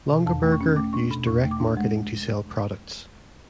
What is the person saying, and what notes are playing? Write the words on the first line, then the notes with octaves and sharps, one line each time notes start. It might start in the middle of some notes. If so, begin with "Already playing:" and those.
Longaberger used direct marketing to sell products.
B2
E2 A5
A3
C#6
C#4
A3 D6
D4 C#6
B2 B5
E2 C#6
A3
D6
D4
G#3